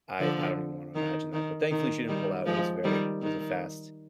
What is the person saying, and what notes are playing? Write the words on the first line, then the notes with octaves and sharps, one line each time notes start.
I I don't even wanna imagine that, but thankfully she didn't pull out, it was very it was a fast
D3 F3
D#3
D#3
D#3
D#3 G3
F3 G#3
D#3 G3
D#3